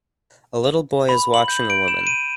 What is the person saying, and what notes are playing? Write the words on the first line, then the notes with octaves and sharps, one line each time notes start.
A little boy is watching a woman.
B5
F#7
G6
D7
E7
D#7